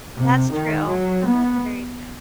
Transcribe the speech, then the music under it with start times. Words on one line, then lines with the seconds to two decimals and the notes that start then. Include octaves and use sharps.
That's true. No, that's very true.
0.13 C3
0.49 D#3
0.85 F#3
1.22 B3